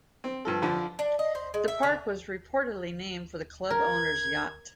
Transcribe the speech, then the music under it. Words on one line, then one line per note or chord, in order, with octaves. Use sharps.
The park was reportedly named for the club owner's yacht.
C4
G2 F3 A4
F2 D3 F3
D4
D#5
C5
G#3
E5
D3
A#4 G#6